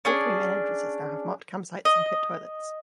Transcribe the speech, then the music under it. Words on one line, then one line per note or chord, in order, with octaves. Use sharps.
All three main entrances now have marked campsites and pit toilets.
C#4 D4 G#4
D#5